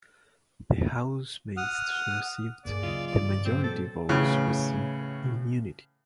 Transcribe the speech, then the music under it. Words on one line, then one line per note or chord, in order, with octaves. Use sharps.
The housemates received the majority votes receive immunity.
F#5 D#6 F6
D2 G2 A#3 G#4 D5
C#3 F#3 F4 D#5
D5
G2 E3
A#2 F#3 C4
A4
A2 C#3 E3